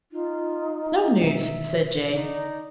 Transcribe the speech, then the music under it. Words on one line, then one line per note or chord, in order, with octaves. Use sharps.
"No news," said Jane.
D#4 F4
B2 D3 D#3 E5
D#4 D5